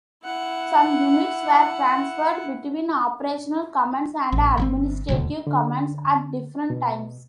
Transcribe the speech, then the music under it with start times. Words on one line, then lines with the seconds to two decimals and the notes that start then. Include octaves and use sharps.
Some units were transferred between operational commands and administrative commands at different times.
0.24 E4 F#5
4.32 A1
4.57 G1 C#3 C4
5.08 D#1 D2 B2
5.47 D3
6.70 B2